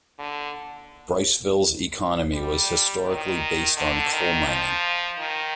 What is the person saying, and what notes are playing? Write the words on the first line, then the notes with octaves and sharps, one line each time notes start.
Briceville's economy was historically based on coal mining.
D3
G3
D#3
D3
D#3
F3
D#3